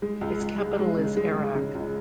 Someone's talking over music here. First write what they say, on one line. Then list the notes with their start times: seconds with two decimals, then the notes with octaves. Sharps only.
Its capital is Arak.
0.02 G#3
0.21 C#2
0.40 C#2
0.60 G#3
0.79 G#3
0.97 C#3
1.16 G#3
1.36 G#3
1.55 C#3
1.74 C#2